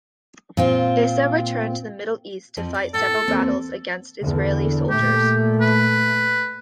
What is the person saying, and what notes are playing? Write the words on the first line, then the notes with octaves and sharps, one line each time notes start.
Issa returned to the Middle East to fight several battles against Israeli soldiers.
A#2 C4 F4
F2 F3 A#3
D5
A2 A4
E2 A#3 C4
E2 D3
A#2 A3 G4
B4